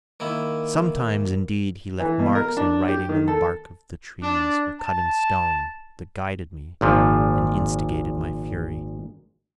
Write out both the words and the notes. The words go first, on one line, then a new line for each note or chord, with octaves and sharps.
Sometimes, indeed, he left marks in writing on the barks of the trees or cut in stone that guided me and instigated my fury.
D#3 A#3 E4
E3
B2
A#4
D4
G4
D#3
A4
D4
A5
G#1 A#2 F3